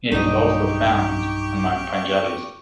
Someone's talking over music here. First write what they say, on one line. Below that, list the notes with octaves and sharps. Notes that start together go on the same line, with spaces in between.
It is also found among Punjabis.
B1 G2 D#4 G4 D#5 C#6